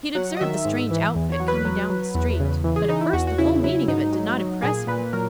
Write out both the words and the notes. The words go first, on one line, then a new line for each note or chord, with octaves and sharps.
He had observed the strange outfit coming down the street, but at first the full meaning of it did not impress him.
F#3 F#5
D#5
D#3 E5
G#2
E3
E2
C#5
F#3
B4
F#3
F#3
E2
C#3
E3
G#4
E3 D#4
E4
E2 F#4
F#4
C#3 E4
F#3 E4
G#2 D#4
F#3
F#3
A#2 G#4
A#2 B4
F#3 A#4